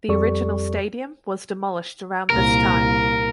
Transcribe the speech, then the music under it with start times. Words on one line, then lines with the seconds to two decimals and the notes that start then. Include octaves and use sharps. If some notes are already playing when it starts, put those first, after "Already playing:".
The original stadium was demolished around this time.
0.08 F2 G3 G4 A4 D5 C#6
2.30 C2 A#2 A#4